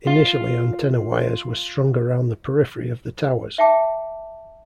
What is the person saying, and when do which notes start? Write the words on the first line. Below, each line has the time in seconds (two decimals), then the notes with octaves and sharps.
Initially antenna wires were strung around the periphery of the towers.
0.07 F4 F5
3.58 E5 F#5 G5 A5 D6